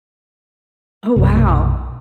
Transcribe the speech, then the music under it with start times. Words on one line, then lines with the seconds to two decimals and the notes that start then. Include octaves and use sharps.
Oh, wow.
1.16 B1 F#2 C3